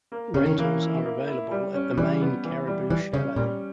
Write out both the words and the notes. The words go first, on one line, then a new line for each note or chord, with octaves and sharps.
Rentals are available at the main Caribou Chalet.
A#3
C#3 C#4
D#3
E3 A#3
E4
A#3
E4
G3
C#4
E3 G3
B3
E3
G3
E3 G3
C#3 C#4
A#2 G3